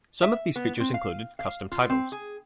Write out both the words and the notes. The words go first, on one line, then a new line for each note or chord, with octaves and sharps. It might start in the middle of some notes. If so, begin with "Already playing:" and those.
Some of these features included: Custom titles.
E5
B3
C4
F5
F5
F4
C4
G#4